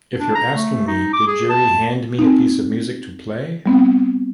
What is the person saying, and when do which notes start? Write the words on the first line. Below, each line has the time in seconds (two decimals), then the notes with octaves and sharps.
If you're asking me: 'Did Gerry hand me a piece of music to play?
0.19 D4
0.35 A#5
0.55 A3
0.87 D#4
1.13 D6
1.27 G#4
1.50 A5
2.19 C4 D#4
3.66 G3 B3 C4